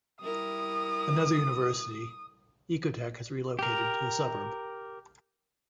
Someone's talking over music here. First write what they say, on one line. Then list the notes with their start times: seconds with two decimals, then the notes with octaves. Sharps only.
Another university, Ecotec has relocated to the suburb.
0.22 G3 E4 A#4 D#6
3.59 G4 A#4